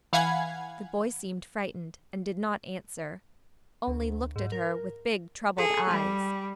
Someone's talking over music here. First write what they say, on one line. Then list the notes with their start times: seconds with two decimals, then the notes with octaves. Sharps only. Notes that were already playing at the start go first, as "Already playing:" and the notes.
The boy seemed frightened, and did not answer, only looked at her with big, troubled eyes.
0.13 E3 F5 F#5 G#5 B5 G#6
3.87 D2
4.36 G#2
4.52 A#4
5.57 G#4 A4
5.89 G3